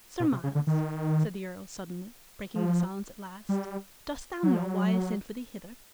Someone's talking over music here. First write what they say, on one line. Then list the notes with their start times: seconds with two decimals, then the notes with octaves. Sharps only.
"Sir Myles," said the Earl, suddenly, breaking the silence at last, "dost thou know why I sent for thee hither?"
0.20 B2
0.32 C3
0.43 C#3
0.55 D3
0.67 D#3
2.55 F3
3.49 G3
4.43 F#3
4.54 F3
4.64 F#3